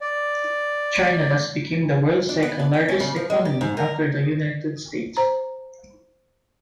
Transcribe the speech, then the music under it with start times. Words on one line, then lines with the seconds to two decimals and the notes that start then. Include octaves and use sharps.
China thus became the world's second-largest economy after the United States.
0.01 D5
2.29 D4
2.43 B3
2.59 D4
2.73 G5
2.88 C#4
3.00 C#3
3.16 F3
3.30 G#3
3.45 G4
3.61 G#2
3.77 A#4
5.17 C5 A#5